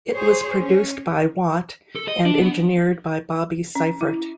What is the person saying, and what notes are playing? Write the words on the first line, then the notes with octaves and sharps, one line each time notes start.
It was produced by Watt and engineered by Bobby Seifert.
G#4 C5 C#5
C#4
A4
D#5
D4
B3
C#4
E4